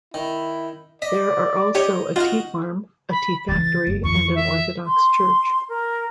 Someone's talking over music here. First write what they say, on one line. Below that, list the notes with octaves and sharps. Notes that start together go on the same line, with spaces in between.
There are also a tea farm, a tea factory and an Orthodox church.
D#3 E4
D5 D#5 B6
D#4 G4 C#5 D#7
D#4 F4 F#4 F6
B5
C#3 E3 A6
F#1
F2 E3 C#6
E5
C6
A#4